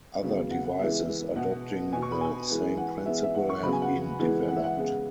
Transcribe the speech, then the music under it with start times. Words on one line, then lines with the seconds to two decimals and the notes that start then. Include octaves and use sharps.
Other devices adopting the same principle have been developed.
0.23 C#3 F#3 B3
0.51 F#5
0.64 F#5
0.79 E3 G#3 B3 E5
1.36 B2 B3 F#5
1.93 B2 B3 G#5
2.02 C#6
2.12 B5
2.21 G#5
2.49 E3 G#3 B3
2.77 F#5
3.06 E3 G#3 B3 E5
3.24 E5
3.35 F#5
3.49 C#6
3.63 C#3 F#3 B3 B5
3.73 G#5
3.82 F#5
4.20 E3 G#3 B3
4.48 F#5
4.56 E5
4.64 F#5
4.77 C#3 G#3 B3